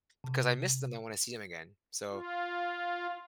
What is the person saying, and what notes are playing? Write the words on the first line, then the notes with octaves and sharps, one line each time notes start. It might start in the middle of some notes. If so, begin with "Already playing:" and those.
because I miss them; I wanna see 'em again. So,
C3
F4